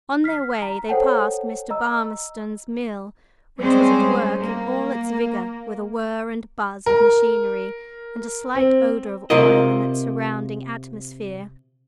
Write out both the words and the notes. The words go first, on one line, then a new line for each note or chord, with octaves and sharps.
On their way they passed Mr. Burmistone's mill, which was at work in all its vigor, with a whir and buzz of machinery, and a slight odor of oil in its surrounding atmosphere.
F6 B6 C7
A#5
A4 C5 C#5 F#5 G5 A5
D#5 A#5 E6
G3 G#3 C4 C#4 G#4 C5
A#3
A#4
C4
C3 F4 A#4 D#5